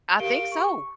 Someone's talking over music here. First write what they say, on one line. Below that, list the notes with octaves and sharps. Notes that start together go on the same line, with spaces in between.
I think so.
G4 A#4 F5 D7 G7
C#6